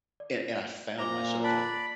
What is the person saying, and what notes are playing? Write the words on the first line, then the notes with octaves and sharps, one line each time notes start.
and and I found myself at a
D5
A#2 C5 A#5 D6 G7
D5 A5 B5 F#6 B6